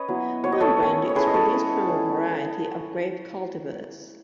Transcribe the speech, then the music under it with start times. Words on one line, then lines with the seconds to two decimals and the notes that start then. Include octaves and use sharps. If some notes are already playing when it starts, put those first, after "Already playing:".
Wine brandy is produced from a variety of grape cultivars.
Already playing: C#4 B4 C#5 D#5
0.08 F#3 B3 E4
0.44 F#3 B3 E4 C#5
0.52 D#5
0.60 A4 C#5
0.80 A3 C#4 E4
1.09 C#5
1.15 A3 C#4 E4 G#4 B4
1.27 D#5
1.34 A4 C#5
1.51 G#3 C#4 E4
1.87 G#3 C#4 E4